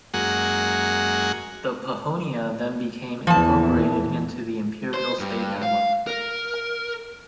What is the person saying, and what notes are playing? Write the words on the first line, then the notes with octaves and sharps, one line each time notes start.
The Pahonia then became incorporated into the imperial state emblem.
F#2 G#3 A#3 F#4 G#4 F#5
A#1 E2 E3 F3 A5
C5
G2
F5
A#4